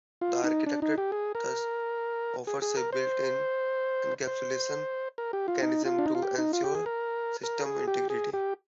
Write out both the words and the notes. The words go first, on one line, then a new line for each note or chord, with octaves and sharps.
The architecture thus offers a built-in encapsulation mechanism to ensure system integrity.
F4
D#4
D4
D#4
G4
G#4
A#4
G#4
G#4
A#4
C5
C5
A#4
G4
F4
D#4
F4
D4
D#4
F4
G4
D#4
F4
G4
G#4
A#4
A#4
G#4
G4
G#4
G4